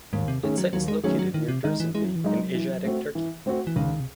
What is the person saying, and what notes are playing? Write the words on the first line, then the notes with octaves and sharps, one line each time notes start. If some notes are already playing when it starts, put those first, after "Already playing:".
Its site is located near Dursunbey in Asiatic Turkey.
D#2 G#2
C3
D#3 A3 C#4 G#4
F#3
D#2 F#3
G#3
D#3 F#3 A3 C#4 G#4
F#3
D#3 E3
C3
D#3 G#3 D#4
E3
E3 G#3
F#3
E3
F#3 G#3 D#4
E3
A3 C4 F#4
E3
A3 C4 F#4
E3
C#2 D#3
C3